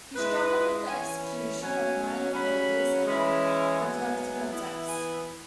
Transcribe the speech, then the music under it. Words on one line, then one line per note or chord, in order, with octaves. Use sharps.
He struggled with the execution of minor papers and the collecting of debts.
G#2 G#3 E4 B4
E3 C#4 E4 G#5
B5
B2 F#3 C#4 G#5
C#3 F#3 C#4 B5
E3 G#3 C#4 E4 B5
G#5
G#2 F#3 B3 E4
E3 B3 E4
G#5